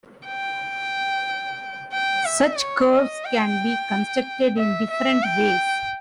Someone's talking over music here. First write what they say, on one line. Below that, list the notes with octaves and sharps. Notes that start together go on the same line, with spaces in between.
Such curves can be constructed in different ways.
G5
G5
E5
C#5
D#5
G5
E5
E5
G5